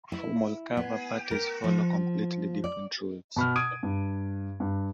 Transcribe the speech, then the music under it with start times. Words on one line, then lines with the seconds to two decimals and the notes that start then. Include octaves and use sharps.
Formal kava parties follow completely different rules.
0.12 E4
0.77 B3
1.31 A#4
1.64 F3
2.64 D5
3.36 B2 B5 F6
3.56 D#6 G#6 D7 D#7
3.83 G2
4.60 G2